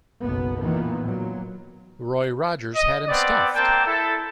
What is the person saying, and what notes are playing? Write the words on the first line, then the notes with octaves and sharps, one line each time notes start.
Roy Rogers had him stuffed!.
F#1 B1 B3
A#2 D#3 E3 B3
A#2 F#3
D#5
B3 C4 D5
A#3 C4 A#4 G5 A5
E4 A4